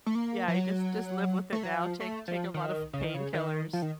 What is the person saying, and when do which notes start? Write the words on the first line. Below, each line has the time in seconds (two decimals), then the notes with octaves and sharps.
Yeah, he just just live with it now, take take a lot of painkillers.
0.06 A3
0.15 A#3
0.48 F3
0.54 F#3
1.53 A3
1.63 F#3
1.74 F3
2.00 A3
2.28 F3
2.54 D#3
2.93 C#3
3.04 D#3
3.14 C#3
3.34 D#3
3.73 F3
3.82 D#3